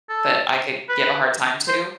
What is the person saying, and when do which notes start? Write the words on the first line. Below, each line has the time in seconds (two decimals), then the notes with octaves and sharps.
that I could give a hard time to
0.09 A4
0.89 B4
1.68 C5